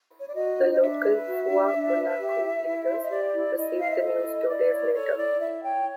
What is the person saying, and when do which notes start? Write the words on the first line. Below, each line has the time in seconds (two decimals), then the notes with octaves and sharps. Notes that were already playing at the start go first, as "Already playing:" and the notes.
The local Fua Mulaku leaders received the news two days later.
0.19 C#5
0.27 D5
0.34 F#4 D#5
0.58 D4
0.72 D#5
0.80 D4 E5
1.04 B4
1.26 F#4
1.49 D4
1.73 D4
1.96 B4
2.17 G4
2.41 E4
2.64 E4
2.87 C5
3.02 D#5
3.10 G4 D5
3.33 E4
3.55 E4 D#5
3.78 C5 F5
3.91 E5
4.01 A4 D#5
4.24 E4
4.47 E4 D5
4.70 C#5
4.93 A4 C#5
5.15 E4 D5
5.38 E4 E5
5.62 C#5 G5